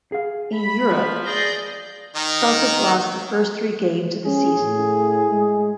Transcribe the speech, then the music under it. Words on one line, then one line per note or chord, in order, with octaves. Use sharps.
In Europe, Celtic lost the first three games of the season.
G#4 F5
B5
F3
G#4 D5 G6 A#6
D#3 D#4
C#4 G#4
A2
G#3